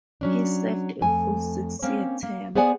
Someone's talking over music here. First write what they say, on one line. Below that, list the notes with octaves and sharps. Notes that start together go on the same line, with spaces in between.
He served a full six-year term.
F#3 C#4 D4
F2 A3 G#5
A#3 C4 C#4
A#3
B3 G#4 C5 D5 F#5 G#5